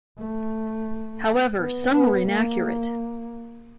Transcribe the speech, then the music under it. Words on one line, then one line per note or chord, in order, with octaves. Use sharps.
However, some are inaccurate.
A3
B3
B3
A#3